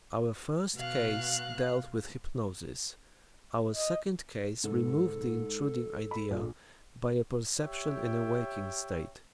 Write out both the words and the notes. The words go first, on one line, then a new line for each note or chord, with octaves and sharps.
Our first case dealt with hypnosis, our second case removed the intruding idea by a perception in a waking state.
B2 F5 F#6
D#5
G#2 A4
B5
A#1
G4 C#5 E5 G5